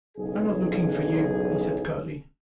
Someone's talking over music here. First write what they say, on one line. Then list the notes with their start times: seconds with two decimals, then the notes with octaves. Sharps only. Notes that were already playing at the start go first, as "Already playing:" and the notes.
"I am not looking for you," he said curtly.
0.17 F#1 B1 G#4